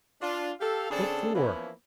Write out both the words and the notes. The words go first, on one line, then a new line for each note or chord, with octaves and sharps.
What for?
D4 F4
G4 A4 F5
C#3 C4 D4 G#4 A4
E3 F3 A#3 B3 C#4 E4